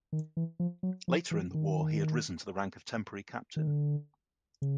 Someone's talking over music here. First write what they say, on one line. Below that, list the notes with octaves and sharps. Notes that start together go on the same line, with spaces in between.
Later in the war he had risen to the rank of temporary captain.
D#3
E3
F3
F#3
F3
E3
D#3
D#3
D3
C#3